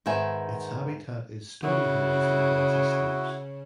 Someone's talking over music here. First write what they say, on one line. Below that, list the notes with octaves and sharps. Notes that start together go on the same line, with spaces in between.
Its habitat is stony hills and grassy slopes.
G#2 D#3 B3 E5 G#5
C#3 E4 F#4